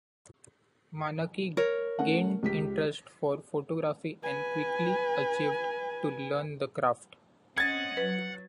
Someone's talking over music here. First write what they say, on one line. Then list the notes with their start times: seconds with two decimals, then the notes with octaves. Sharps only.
Manaki gained interest for photography and quickly achieved to learn the craft.
1.57 A#4 C#5
1.99 A3 C#4 F#5
2.43 C#2 G4 B6
4.23 B4 G#5
7.58 C4 C#4 D#5 F#5 G#6 A6
7.97 F#3 B4